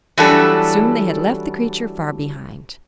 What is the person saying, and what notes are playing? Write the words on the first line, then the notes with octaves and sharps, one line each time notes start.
Soon they had left the creature far behind.
E3 F#3 G3 D4 G4 A4